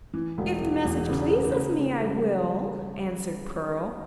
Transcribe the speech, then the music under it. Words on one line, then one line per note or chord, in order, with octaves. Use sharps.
"If the message pleases me, I will," answered Pearl.
E3
E1
E3
E2
C#3
C#3
C#3
C#3
G3